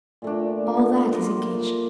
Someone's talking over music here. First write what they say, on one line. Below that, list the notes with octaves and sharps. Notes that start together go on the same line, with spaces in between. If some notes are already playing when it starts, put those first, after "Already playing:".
"All that is engaged."
A#2 A3 D4
A#3 F4 A#4